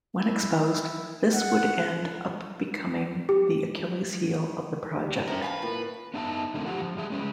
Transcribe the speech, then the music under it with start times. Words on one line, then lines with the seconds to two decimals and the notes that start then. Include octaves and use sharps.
When exposed, this would end up becoming the "Achilles' heel of the project".
0.19 E4
1.34 F#5
3.29 G4
4.96 G3 G#4
5.28 F#2 C#4 A#4 C5 G5
5.42 B4 F5 G#5 A5
5.62 A2 A#3 F4
6.14 B3 D4 D#4 F4 E5 A5
6.54 D3 F3 A3 A#3 C4
6.66 F3 F4 G4 F#5
6.82 F3
6.97 G3 G#4 E5
7.10 G#3 C#4 B4